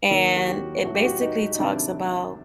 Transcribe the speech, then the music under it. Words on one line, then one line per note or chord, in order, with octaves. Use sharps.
and it basically talks about
D#2 D#3 F#3 A#4
F#4
G4
A1 A2 F#3 F#4
G4
F#4
D#4
D#4
C2 C3 D#3 F#3 D4